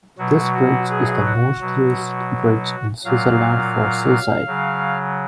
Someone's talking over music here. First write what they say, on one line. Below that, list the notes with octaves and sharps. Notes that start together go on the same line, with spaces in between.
This bridge is the most used bridge in Switzerland for suicide.
B2 F#3 F#4
F#4
G#4
F#4
B2 F#3
A#2 F#3 F5
C#3 F#3